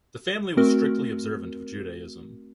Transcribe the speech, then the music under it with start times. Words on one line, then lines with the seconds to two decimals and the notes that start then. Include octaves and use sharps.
The family was strictly observant of Judaism.
0.57 A3 C4 F#4 A#4 F6